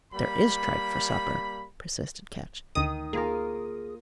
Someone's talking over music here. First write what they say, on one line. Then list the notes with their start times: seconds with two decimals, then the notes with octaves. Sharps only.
"There is tripe for supper," persisted Ketch.
0.13 G3 A#3 B5
2.75 D2 D#3 D#6
3.13 A#3 F4 G#4 A#4